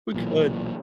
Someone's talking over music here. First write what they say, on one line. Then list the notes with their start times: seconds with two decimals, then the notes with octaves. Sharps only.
We could.
0.14 B1 A#2 E3